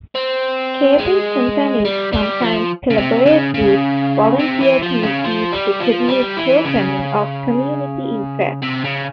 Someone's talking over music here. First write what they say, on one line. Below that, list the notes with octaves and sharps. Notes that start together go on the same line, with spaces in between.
Cable companies sometimes collaborate with volunteer committees to produce programming of community interest.
C4
G#3
G3
G3
F3
C#3
C3
C#3
C#3
C3
E3
F3
C#3
F3
G3
F3
G3
E3
C#3
C3
C#3